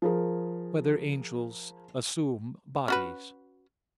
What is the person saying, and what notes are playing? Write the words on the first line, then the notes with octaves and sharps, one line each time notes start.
Whether Angels Assume Bodies?
F3 G#4 A#4
C#4 F#4 B4